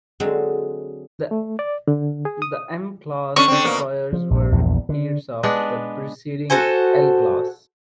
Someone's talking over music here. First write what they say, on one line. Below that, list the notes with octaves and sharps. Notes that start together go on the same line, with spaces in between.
The M-class destroyers were repeats of the preceding L class.
D3 F#3 G#3 C4 G#4
A3
D5
D3
G#4
D#6
D3 C#4 C#6
D3 C4
B2 A#3
F3
A#1 G2
A#1 E2 G2
D3
G#3 B3 D4 B4
F#4 A4 C5 G#5